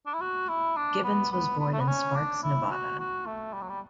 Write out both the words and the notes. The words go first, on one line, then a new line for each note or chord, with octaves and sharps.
Gibbons was born in Sparks, Nevada.
D4
E4
F#4
E4
D4
B3
B3
B3
A3
B3
C#4
D4
E4
F#4
F#4
A3
G3
F#3
G3